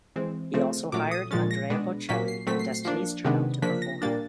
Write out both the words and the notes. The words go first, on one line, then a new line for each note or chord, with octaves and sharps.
He also hired Andrea Bocelli and Destiny's Child to perform.
E3 G#3 C4
C#3 F3 A3 C4
A#2 F#3 A3 C#4 D6
D#6
A#2 F3 G#3 C#4 A6
A#6
B2 G#3 B3 D4
A#2 F#3 A#3 C#4 B6
C7
A#2 F#3 A3 C4 B6
C7
C7
F3 A#3 D4
C3 D#3 G#3 B3 D4
C#3 F3 A#3 D4 B6
A#6
A#2 G3 A#3 D4 A6